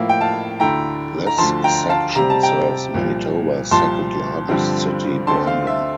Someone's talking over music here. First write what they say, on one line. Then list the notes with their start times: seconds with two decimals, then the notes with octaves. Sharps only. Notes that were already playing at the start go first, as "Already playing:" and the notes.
This section serves Manitoba's second largest city, Brandon.
Already playing: A2 F3 A#3 E4
0.09 G5
0.21 F5 A5
0.60 D2 D3 A3 E4 G5 A#5
1.27 A#5
1.38 D2 D3 F3 A5 C6
1.64 G5 A#5
1.89 F5 A5
2.15 C3 G3 C4 A#5
2.30 A5
2.43 G5 A#5
2.94 C2 A#2 F3
3.71 C2 A#2 F3 A5 C6
4.49 G2 D3 F3 C4
5.27 D2 D3 A3 C4 A5 C6
5.47 F5
5.67 E5